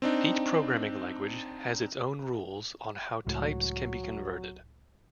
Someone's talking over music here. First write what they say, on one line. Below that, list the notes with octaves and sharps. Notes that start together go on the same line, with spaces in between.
Each programming language has its own rules on how types can be converted.
C4 D4 D#4
C#2 A2 F#3